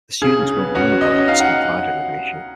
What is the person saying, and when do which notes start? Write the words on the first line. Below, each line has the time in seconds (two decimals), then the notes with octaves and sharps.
The students weren't the only body that stood divided over the issue.
0.22 C#3 G#4
0.39 C#3
0.57 B3
0.75 C#4 F#4
0.92 C#4
1.01 D#5
1.10 C#4
1.28 D#4 F5
1.40 F#5